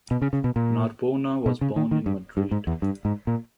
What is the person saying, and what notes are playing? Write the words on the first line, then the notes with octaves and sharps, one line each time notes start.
Narbona was born in Madrid.
B2
C#3
C#3
B2
A#2
B2
C#3
D#3
D#3
G2
G2
G#2
E2
G2
G#2
A#2